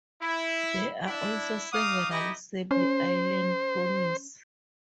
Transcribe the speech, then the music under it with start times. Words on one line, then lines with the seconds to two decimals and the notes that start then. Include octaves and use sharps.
There are also several Sable Island Ponies.
0.21 E4
1.06 D4 E4
1.72 D#4 F5 D6 D#6
2.10 D#4 E4 G4 D#5
2.71 C#4 C5